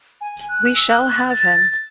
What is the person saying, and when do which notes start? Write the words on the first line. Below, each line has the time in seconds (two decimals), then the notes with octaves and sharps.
We shall have him.
0.21 G#5
0.49 F#6
0.75 E6
0.89 F#6
1.02 F#6
1.16 A6
1.29 A6